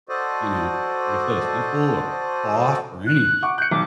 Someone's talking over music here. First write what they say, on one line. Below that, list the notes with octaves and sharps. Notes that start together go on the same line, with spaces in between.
you know, like I said, a sniffle or cough or anything.
F#4 A4 C5 D5 D#5
F#6
F#5 C#6 D6
F#6 G6 C#7
B1 D6